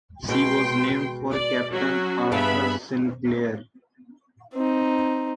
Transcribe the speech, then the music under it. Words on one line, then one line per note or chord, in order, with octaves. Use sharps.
She was named for Captain Arthur Sinclair.
B2 G#3 G5 C6
D5
F#3 C#4 F#4
G2 B3 G#4 E5 F5 B5
C4 D#4